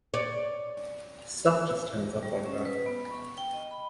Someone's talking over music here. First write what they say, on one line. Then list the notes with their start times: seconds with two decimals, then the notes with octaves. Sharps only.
Stuff just turns up like that.
0.14 C#5 D5
2.23 G3
2.46 C#4
2.65 B4
2.86 B3
3.10 C#6
3.38 G5
3.53 D#5
3.71 B5